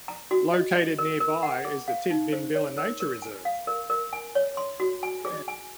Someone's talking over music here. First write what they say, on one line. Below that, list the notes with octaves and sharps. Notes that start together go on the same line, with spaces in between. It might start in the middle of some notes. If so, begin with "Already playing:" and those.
Located nearby is the Tidbinbilla Nature Reserve.
A#5
F#4
D#5
D#5
A#4
A#4
F#5
G#4
F5
D#4
C5
C#5
A#4
A#4
G#5
F5
A#4
A#4
G#5
C#5
C6
F#4
G#5
G#4
G#5